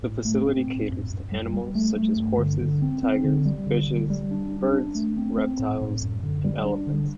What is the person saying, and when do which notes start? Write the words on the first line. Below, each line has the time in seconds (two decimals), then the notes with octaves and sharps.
The facility caters to animals such as horses, tigers, fishes, birds, reptiles and elephants.
0.03 A2
0.25 A3
0.46 C4
0.67 A2
0.89 F#2
1.10 F#2
1.32 G3
1.54 G3
1.75 A3
1.96 A3
2.17 G2
2.38 D3
2.61 D3
2.82 C4
3.03 C4
3.24 D3
3.45 G3
3.67 D3
3.88 D3
4.10 G3
4.31 D4
4.52 D4
4.73 D4
4.95 A3
5.17 C4
5.37 C4
5.59 A2
5.81 A2
6.01 F#2
6.23 D3
6.45 G3
6.65 D4
6.87 D3